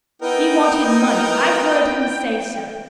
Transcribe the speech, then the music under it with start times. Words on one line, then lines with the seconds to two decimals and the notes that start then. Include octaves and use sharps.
He wanted money; I heard him say so.
0.22 B3 D#4 E4 A#4 B4 D#5 G5